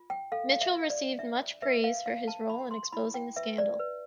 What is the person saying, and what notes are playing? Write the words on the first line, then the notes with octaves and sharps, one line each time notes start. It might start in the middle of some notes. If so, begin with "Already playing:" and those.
Mitchell received much praise for his role in exposing the scandal.
Already playing: F4
G5
A4 F5
F5
E5
F4
D5
D4 E5
B4 E5
F5
D4 F5
A5
F4 B5
C6
E4 B5
G5
B4 E5
D5
B4